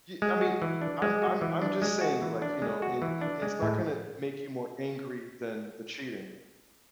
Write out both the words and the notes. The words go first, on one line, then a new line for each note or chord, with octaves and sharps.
Y I mean, I'm I'm I'm just saying, like, you know, and it's not gonna make you more angry than the cheating.
G#3
F#4
E3
D4
G#3
F#4
E3
D4
G#3
F#4
E3
D4
G#3
F#4
E3
D4
G#3
A2